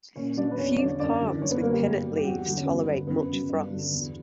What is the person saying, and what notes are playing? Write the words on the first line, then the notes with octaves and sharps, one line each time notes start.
Few palms with pinnate leaves tolerate much frost.
A#2 C#4 C#5
F#3 D4 D5
B4
E2 C#4 C#5
C#5
D3 F#3 D4 D5
F#2 D4 D5
D3 F#3
F#2 C#4 C#5
B3 B4
D3 F#3 A#3 A#4
G3 G4
G2
F#3
G4
E2 F#3 F#4
D3 F#3
C#4
G2 B3
D3 F#3
F#2 B3
C#3 F#3
G2
D3 F#3
E2